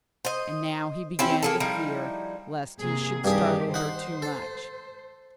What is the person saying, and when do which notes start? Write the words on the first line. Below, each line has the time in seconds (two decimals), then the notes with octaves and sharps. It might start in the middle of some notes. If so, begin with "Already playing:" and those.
And now he began to fear lest he should startle her too much.
0.25 C5 D#5
1.19 C4 C#4 E4 G4
1.43 A#3 G#4 A4
1.60 F3 G3 D#4 E4
2.80 C3 A#3 G#4
3.24 G2 D#3 G4 G#4
3.74 D#4 C5 F#5
4.22 A4